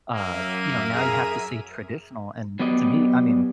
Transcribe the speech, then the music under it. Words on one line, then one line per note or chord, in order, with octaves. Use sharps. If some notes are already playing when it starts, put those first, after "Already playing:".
uh, you know, now you have to say "traditional." And to me I mean,
F#2 A#3 E5 D#7
G#4 A#4
F#3 B3 G4 D5 D#5